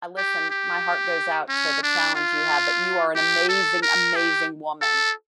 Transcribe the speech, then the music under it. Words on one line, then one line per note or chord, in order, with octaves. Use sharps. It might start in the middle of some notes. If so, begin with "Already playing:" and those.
l listen, my heart goes out to the challenge you have, but you are an amazing, amazing woman.
G4
G4
C#4
D4
F4
G4
A4
A#4
G4
A4